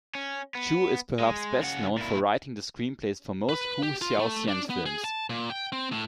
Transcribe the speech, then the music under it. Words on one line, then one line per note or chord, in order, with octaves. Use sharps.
Chu is perhaps best known for writing the screenplays for most Hou Hsiao-hsien films.
C#4
B3
G#3
C#3 F#5
A#2 E4
B4
G4
F4
A3
D4
B3
G#4
A5
A#2
G5
C4
A2